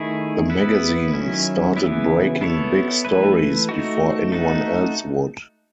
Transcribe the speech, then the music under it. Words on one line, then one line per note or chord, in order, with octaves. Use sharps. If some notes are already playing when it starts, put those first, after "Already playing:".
The magazine started breaking big stories before anyone else would.
Already playing: D#3 A3 E4 G#4
B3 E4 B4
D#3 F#3 C#4 E4
C#3 E3 B3 E4
B3 E4 A4 C#5
E3 A3 E4 B4
A3 D#4 F#4
A3 D#4 F#4